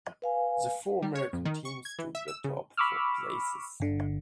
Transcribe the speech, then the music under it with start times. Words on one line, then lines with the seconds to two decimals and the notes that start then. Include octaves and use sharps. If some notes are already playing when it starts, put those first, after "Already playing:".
The four American teams took the top four places.
0.22 B4 F5 G#5
1.02 G3
1.15 C#5
1.33 F2
1.45 D#3
1.65 C#6
1.85 G#6
1.99 E3
2.15 E5
2.28 E6
2.44 C#3
2.77 B5 C#6 D6 E6 F6
3.80 G1 D3